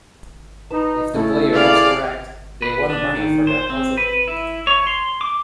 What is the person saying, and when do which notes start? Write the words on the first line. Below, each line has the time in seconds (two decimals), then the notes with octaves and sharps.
If the player was correct, they won money for that puzzle.
0.70 D#4 B4 A5
1.14 C#3 A3 C#4 E4 A4
1.55 G#4 D5 F5
2.62 B4
2.90 D4
3.15 D#3
3.47 C5
3.70 C4
3.97 B4
4.28 E4
4.67 C#5
4.87 C6
5.21 D6